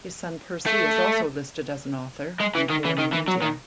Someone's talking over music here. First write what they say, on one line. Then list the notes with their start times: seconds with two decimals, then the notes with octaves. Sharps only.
His son Percy is also listed as an author and born in India.
0.66 A3
2.41 G#3
2.55 E3
2.70 D#3
2.85 E3
2.98 D#3
3.13 E3
3.28 F#3
3.42 D#3